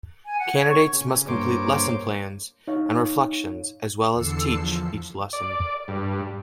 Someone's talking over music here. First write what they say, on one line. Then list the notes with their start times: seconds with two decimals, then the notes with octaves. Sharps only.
Candidates must complete lesson plans and reflections, as well as teach each lesson.
0.25 G#5
0.39 F#5
0.55 C#5
0.70 C#6
0.93 C#3
1.28 G2 A#3 C5 C#5 D6
2.68 D#4 C#5 F5
4.12 E2 D3 A4 E6 C7 C#7
4.53 E2 F3
5.33 D5
5.88 G2